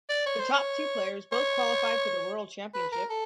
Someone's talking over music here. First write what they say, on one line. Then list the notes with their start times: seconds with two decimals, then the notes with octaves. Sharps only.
The top two players both qualified for the World Championship.
0.09 D5
0.26 C#5
0.39 C5
0.53 C#5
1.32 C#5
2.74 B4
2.92 A#4
3.10 A4